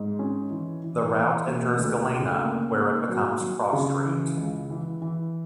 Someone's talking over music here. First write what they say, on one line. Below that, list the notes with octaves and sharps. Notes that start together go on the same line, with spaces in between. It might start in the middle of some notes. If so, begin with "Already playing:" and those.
The route enters Galena, where it becomes Cross Street.
Already playing: G#2
C#4
E3
E3
E3
A#3
D2
C#3
A#3
A#3
F#3
F#3
C#3
E3
C#2
E3
E3